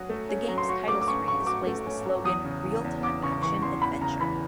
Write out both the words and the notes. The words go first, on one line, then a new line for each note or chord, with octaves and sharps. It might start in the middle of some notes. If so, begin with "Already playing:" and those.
The game's title screen displays the slogan Realtime Action Adventure.
Already playing: F#3 C#4 F#4 D#6
A3
C#4
F#3
C6
F#4 C#6
A3 D6
D6
C#4 C#6
F#3 C#6
F#4 D6
A3
C#4
F#3
E2 D#6
C#3
E3
E2
E2 D6
C#3 C#6
E3 C#6
E2 C6
E2 B5
C#3 A#5
E3 B5